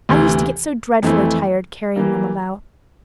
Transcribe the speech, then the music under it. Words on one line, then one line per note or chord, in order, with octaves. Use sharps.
I used to get so dreadfully tired carrying them about.
D2 C3 E3
F2 E3 A3 C4 E4
E3 G3 A#3